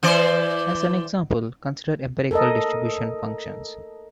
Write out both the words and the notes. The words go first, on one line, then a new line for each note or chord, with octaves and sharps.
As an example, consider empirical distribution functions.
E3 C5 D5
A4 A#4 D#5